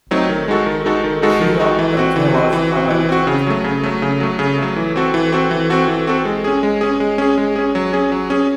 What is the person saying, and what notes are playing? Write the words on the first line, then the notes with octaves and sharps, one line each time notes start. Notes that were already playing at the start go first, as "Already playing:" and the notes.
Cheer up, and tell us about it!
F#3 A3 C4 D#4
D#3
G#3 D#4 F#4 A4
D#3
G#3 D#4 F#4 A4
D#3
G#3 D#4 F#4 A4
D#3
G#3 D#4 F#4 A4
E3
C4 F#4
E3
C4 F#4
E3
F#4
C4
E3
C4 F#4
C#3
F#3 A3
C#3
F#3 A3
C#3
F#3 A3
C#3
F#3 A3
E3
C4 F#4 A4
E3
C4 F#4 A4
E3
C4 F#4 A4
E3
C4 F#4 A4
G#3
C#4 G#4
G#3
C#4 G#4
G#3
C#4 G#4
G#3
C#4 G#4
F#3
C#4 G#4
F#3
C#4 G#4